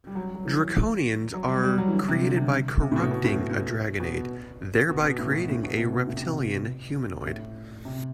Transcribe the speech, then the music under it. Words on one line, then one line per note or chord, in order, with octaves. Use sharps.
Draconians are created by corrupting a dragon egg, thereby creating a reptilian humanoid.
G3
F#3
F#3
E3
F#3
G3
G3
F#3
E3
D3
C3
D3
C3
C3
A2
B2
B2
A2
A2
B2
B2
B2
A2
B2
A2
B2
C3
B2
A2
C3
B2
A2
C3